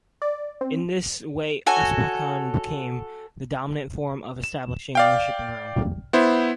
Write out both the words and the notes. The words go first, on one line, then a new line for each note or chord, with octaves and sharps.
In this way usucapion became the dominant form of establishing ownership in Rome.
D5
C4
F#4 A4 C#5 G#5
E7
D5 F5 G5
B3 E4 C5